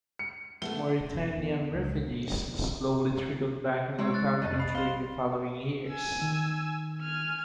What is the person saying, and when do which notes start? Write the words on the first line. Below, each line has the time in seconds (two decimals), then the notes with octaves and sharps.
Mauritanian refugees slowly trickled back into the country during the following years.
0.19 C#7
0.62 A3 B3 A4 G7
1.13 E1
1.37 E2
1.74 C#2
3.98 G#3 C4 E4 C#5 A#5 C6
4.14 F#6 A6
4.42 F2 C3 G3 A3 D5 D#5 A5
4.60 A#1 B5 A6 C7
4.75 C4 C5 F5 G7
5.89 G#5 E6
6.22 D#3
7.01 G#5 F6